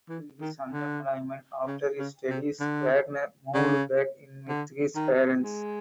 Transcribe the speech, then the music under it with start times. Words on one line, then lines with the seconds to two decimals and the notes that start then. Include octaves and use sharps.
Due to his unemployment after his studies Wagner moved back in with his parents.
0.09 E3
0.41 D#3
0.72 D3
1.67 C#3
1.98 C#3
2.30 C3
2.60 D3
3.54 C#3
4.48 D3
4.95 D#3
5.43 G#3